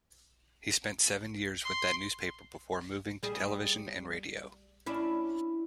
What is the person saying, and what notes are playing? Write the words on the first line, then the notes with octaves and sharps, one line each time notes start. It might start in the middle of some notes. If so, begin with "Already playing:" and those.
He spent seven years with that newspaper before moving to television and radio.
C6
G3 G#4
C#4 D4 E4